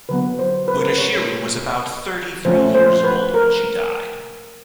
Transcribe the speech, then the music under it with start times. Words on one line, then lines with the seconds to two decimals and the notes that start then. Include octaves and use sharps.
Budashiri was about thirty-three years old when she died.
0.09 D3 F#3 B3 B4
0.39 C5
0.68 B4
0.77 A#4
0.86 B4
0.98 C#5
2.45 F3 A3 C#4 C5
2.75 C5
3.04 B4
3.34 A#4